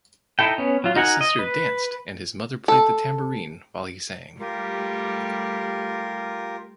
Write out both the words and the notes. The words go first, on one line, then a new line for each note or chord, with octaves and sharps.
His sister danced and his mother played the tambourine while he sang.
D#4 E4 A4 G5
B3 C#4
F#3 F4
D#4 F#4 A#4 F#5 G#5
D#5
B4
A4
G3 A3 F4 G4 A#4